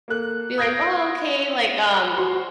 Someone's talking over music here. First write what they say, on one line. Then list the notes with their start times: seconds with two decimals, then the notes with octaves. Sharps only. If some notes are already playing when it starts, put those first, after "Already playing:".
be like, "Oh, okay," like, um
0.08 A#3 A4 F#6
0.58 D#6 G6 G#6 A#6 C7 D7
2.18 F#4 C5 C6